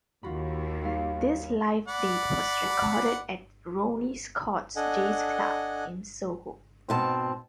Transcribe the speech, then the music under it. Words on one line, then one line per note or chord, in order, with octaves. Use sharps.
This live date was recorded at Ronnie Scott's Jazz Club in Soho.
D#2 F4 F#4 B5
G3 D#4 F5
D5 F#5 B5
D4 A4 D#5 F#5 G#5
G#2 B2 C4 A5